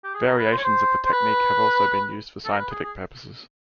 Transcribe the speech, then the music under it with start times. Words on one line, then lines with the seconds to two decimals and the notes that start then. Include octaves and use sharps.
Variations of the technique have also been used for scientific purposes.
0.04 G4
0.15 G#4
0.27 A#4
0.39 B4
0.52 C5
0.58 C#5
0.64 C5
1.05 C5
1.12 B4
2.45 A4
2.52 A#4
2.59 B4
2.71 G#4
2.83 G#4